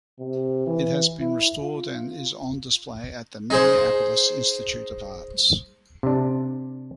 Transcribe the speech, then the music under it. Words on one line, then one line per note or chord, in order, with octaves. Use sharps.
It has been restored and is on display at the Minneapolis Institute of Arts.
C3
E3
E4
F4
D#4 G#4 C5
C3 D4